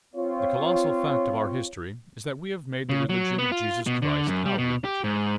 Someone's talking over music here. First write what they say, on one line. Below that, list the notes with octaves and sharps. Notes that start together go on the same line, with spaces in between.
The colossal fact of our history is that we have made the religion of Jesus Christ our religion.
C4 F4 C#5
C#3
F#3
B3
F4
B2
D3
F#2
G3
B2
G4
G#2